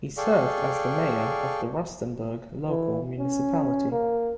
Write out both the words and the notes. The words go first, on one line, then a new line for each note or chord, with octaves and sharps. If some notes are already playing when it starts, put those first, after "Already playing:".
He served as the mayor of the Rustenburg Local Municipality.
G#4 A4 D5 F5 G5 C#6
E3
C#4
A#3